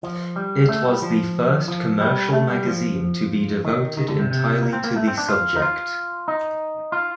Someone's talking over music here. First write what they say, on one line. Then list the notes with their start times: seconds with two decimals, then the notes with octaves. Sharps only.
It was the first commercial magazine to be devoted entirely to the subject.
0.03 F3
0.36 G3
0.69 A3
0.85 G3
1.02 F3
1.68 F3
2.01 G3
2.33 A3
2.50 G3
2.66 F3
3.65 D#3
3.97 D#3
4.09 D3
4.19 C3
4.31 C3
4.63 A#3
4.73 C4
4.84 A#3
4.96 A3
5.07 C4
5.18 D4
5.29 F4
5.56 D#4
5.62 F4
6.28 D#4
6.92 F4